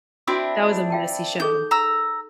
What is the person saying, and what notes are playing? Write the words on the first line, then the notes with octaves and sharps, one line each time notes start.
That was a messy show.
C4 D4 E4 F#4 C6 E6
F5 G5 A5
D#4 G#4 A4 G6
A#5 E6